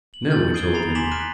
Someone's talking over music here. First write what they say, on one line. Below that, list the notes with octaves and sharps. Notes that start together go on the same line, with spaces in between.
"No," we told him.
F#7
F6 G6 A6 F#7
D#6 G#6 C7 D7 D#7 G7
A#5 B5 A6 C7 F7
G#5 C6 D6 B6 E7 F#7
D6 F6 F#6 B6 D#7 E7